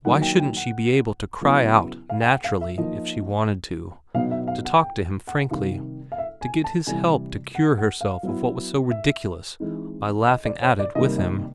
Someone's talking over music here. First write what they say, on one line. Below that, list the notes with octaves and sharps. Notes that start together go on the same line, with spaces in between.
Why shouldn't she be able to cry out naturally if she wanted to, to talk to him frankly, to get his help to cure herself of what was so ridiculous by laughing at it with him?
D#3 F#3 A#3 D#4 F#5
G5
G5
F#5
C#3 F#3 B3 E4
F5
G5
F#5
F5
E5
F3 A#3 D#4 D#5
B2 F#3 B3 D#4 F5
E5
F5
F#5
G5
F#5
C3 D#3 G3 F5
F5
E5
G#5
A5
C3 E3 G3 G#5
F#5
F#5
F5
F#3 B3 E4
E5
E3 G#3 C4 D#4
D#5
D5
C#5
D5
C3 D#3 G3 A#3 D#5
D#5